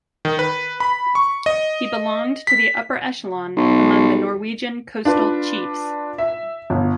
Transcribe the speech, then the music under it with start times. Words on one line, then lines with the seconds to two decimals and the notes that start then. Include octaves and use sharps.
He belonged to the upper echelon among the Norwegian coastal chiefs.
0.25 D#3
0.39 B4
0.80 B5
1.15 C#6
1.46 D#5
2.47 B6
3.56 B1
5.05 D4 F4 B4
6.18 E5
6.70 G1